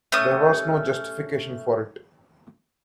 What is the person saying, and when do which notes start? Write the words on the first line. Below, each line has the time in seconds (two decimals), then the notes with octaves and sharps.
There was no justification for it.
0.12 A3 C#4 D#6